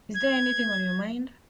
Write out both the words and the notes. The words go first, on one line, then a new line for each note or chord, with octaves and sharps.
Is there anything on your mind?
G#6